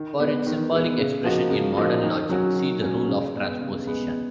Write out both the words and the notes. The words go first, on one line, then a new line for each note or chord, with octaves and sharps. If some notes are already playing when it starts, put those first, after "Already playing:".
For its symbolic expression in modern logic see the rule of transposition.
Already playing: D#3
G#3 B3
D#3
G#3 B3
C#3
F3 A#3 D#4 F#4
C#3
F3 A#3 D#4 F#4
D#3
F#3 C#4 F#4
D#3
F#3 C#4 F#4
C#3
G#3 B3
C#3
G#3 B3